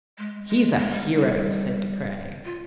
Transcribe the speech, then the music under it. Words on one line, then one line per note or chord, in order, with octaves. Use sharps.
"He's a hero!" said De Craye.
G#3
G#3
G#3
G3
G3
F4